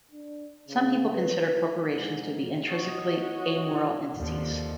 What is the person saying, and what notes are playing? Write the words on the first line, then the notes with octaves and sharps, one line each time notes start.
Some people consider corporations to be intrinsically amoral entities.
D4
C#3
B4
G#2
F#4 C#5 D#5
D#2 D3 F3